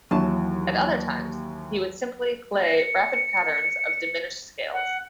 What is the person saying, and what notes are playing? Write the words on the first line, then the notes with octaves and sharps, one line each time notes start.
At other times, he would simply play rapid patterns of diminished-scales.
D#2 E3 F#3 A5
A#6
C#7
F#5